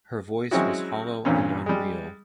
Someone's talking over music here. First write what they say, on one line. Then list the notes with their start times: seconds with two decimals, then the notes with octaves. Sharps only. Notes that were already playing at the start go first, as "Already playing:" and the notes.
Her voice was hollow and unreal.
0.51 F#3 G#3 C4 C#4 E4 F#4
1.25 E2 G2 A#2 C4 C#4
1.66 G3 G#3